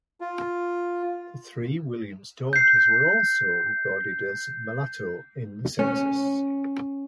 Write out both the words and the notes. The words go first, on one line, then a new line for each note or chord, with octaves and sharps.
The three Williams daughters were also recorded as Mulatto in the Census.
F4
G6 C7
C#4